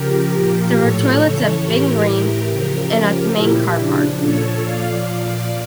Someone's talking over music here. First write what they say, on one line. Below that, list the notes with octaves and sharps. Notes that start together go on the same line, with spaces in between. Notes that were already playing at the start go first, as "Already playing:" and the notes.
There are toilets at Binn Green and at the main car park.
Already playing: C#3 F3 G4 A#4
A#2 F3
A2 F3 A4 C#5
C#3 E3
A2 E3 G4 A#4
A2 E3
C#3 F3
C#3 F3
A#2 F3 E4 G4
C#3 F3 D4
A#2 F3 A4 C#5
A#2 F3 D5 F5
A#2 F3 D5 F5